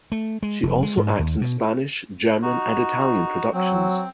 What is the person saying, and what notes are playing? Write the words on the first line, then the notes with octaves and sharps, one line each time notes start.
She also acts in Spanish, German, and Italian productions.
A3
G#3
F1
G#3
G#2
D#2
B2
D#4 F#4
F#3 C4